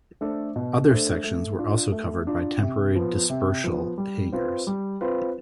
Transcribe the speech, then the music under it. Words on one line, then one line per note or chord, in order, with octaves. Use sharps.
Other sections were also covered by temporary dispersal hangars.
A3 D4 A4 C5
B2
A3 D4 A4 C5
A3
D4 F4
A3
D4 F4
C3
F3 B3
C3
F3 B3
G3
C4 F4 B4
G3
C4 F4 B4